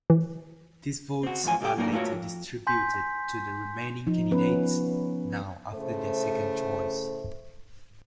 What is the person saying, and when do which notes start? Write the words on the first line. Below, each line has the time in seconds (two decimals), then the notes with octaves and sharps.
These votes are later distributed to the remaining candidates, now after their second choice.
0.10 E3
1.23 C4 F#4
1.44 E2 G#2 F3 G#5
1.61 C#2 G3 G4 A4 G5
1.77 F#3 A#3 D4 D#4 A#4
1.92 A3 F4 F#4 A#4 C#5
2.12 F2
2.67 G#5 C6 G6 B6
4.07 F3 D#4
4.31 F3 B3 C#4 B4
5.74 A2 C#3 A3 C5